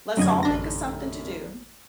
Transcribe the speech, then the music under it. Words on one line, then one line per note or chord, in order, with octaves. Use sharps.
let's all think of something to do,
F1 F#2 D3 F#3 D#5 G#6
A1 D4 A#6